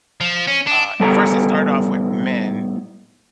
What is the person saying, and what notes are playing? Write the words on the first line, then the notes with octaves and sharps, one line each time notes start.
uh at first it started off with men
F3
C#4
D4
A2 G3 B3 A4 A5 A#5